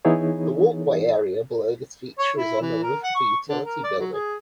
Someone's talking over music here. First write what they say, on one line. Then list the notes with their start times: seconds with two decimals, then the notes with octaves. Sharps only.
The walkway area below this feature is on the roof of a utility building.
0.05 E3 B3 D#4 E4 G#4 C#5
2.19 C#5
2.37 E4
2.61 E3
2.83 A#4
3.03 F#5
3.15 C#6
3.49 D3
3.64 A#4
3.84 D5
3.99 F#3
4.13 G#4